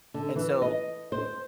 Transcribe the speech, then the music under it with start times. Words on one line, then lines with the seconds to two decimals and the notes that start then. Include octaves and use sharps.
And so,
0.14 D3
0.36 E3
0.62 D#5
1.12 C5